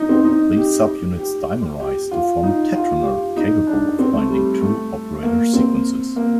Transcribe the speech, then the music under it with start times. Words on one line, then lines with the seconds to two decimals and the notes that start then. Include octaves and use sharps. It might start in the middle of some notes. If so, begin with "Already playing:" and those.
These subunits dimerize to form a tetramer capable of binding two operator sequences.
Already playing: D#4
0.09 C4
0.25 D#4
0.56 G4
1.18 G4
1.80 G4
2.12 F4
2.43 D#4
2.74 F4
3.00 G4
3.05 F4
3.37 D#4
3.67 D4
3.99 C4
4.13 A3
4.30 G3
4.61 A3
5.23 A#3
5.53 C4
6.16 A#3